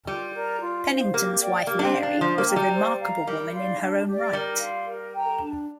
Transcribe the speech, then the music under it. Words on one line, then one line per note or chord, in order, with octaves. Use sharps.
Penington's wife, Mary, was a remarkable woman in her own right.
G3 F4
A#4 D5 A#5
F4
C5 F5
A#3 G4
D5 G5
A#3 G4
D4
C4
D5 F5
D4
F3 C5
A#3
G5 A#5
G3
C5
F5 A#5
G3 A#4
D5 F5 C6
D4
G4 D5
G3 A#4
F5 C6
A#4
G5 A#5
D4